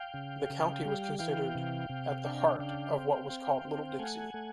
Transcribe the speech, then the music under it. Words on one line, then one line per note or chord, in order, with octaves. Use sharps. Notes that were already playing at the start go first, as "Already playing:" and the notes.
The county was considered at the heart of what was called Little Dixie.
Already playing: F5 G5
C#3
C#3
G3
E3 F5 G5
C3
C3
D4
C#3 F5 G5
C4
C4
C4
A3 F#5 G#5
A3